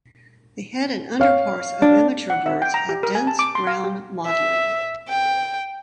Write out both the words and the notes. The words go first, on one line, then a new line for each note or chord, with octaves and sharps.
The head and underparts of immature birds have dense brown mottling.
C#5 F5
D4
F#5
E5
G5
A#5
G4
A#4
G#5
A5
D6
C6
F5
G4
E5
G5